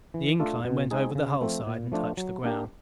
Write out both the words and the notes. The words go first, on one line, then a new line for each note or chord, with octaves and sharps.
The incline went over the hull side and touched the ground.
E3
A3 D4 F4 A4
B2
G#3 C4 D#4 G#4
C#3
F3 A3 C4
A#2
F3 A3 D4 F4
F#3
A#3 D4 G4 A#4